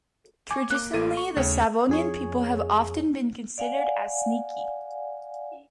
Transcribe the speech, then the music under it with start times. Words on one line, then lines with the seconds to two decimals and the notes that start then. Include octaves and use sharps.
Traditionally, the Savonian people have often been considered as "sneaky".
0.51 G#5 C#6 D6
0.70 A#3 D6 F#6
0.93 A1 A#3 A4 D#7
1.17 C#6
1.37 D#2 C#3 A3 C#5
1.89 F2 G#4 C#5
3.58 D5 F5 F#5 G#5